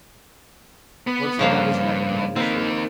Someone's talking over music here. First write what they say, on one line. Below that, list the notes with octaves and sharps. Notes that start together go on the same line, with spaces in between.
What's he got his neck bandaged for?
B3
G2 C#3 F3 A#3
D#3 A#3 C4 B4